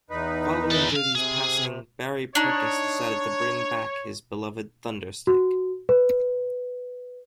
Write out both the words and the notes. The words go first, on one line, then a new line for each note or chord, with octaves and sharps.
Following Jodee's passing, Barry Purkis decided to bring back his beloved Thunderstick.
E2 D#4 B4
E3 A4
F5
C3 G#4
D4 D#4 C#5
F#4
B4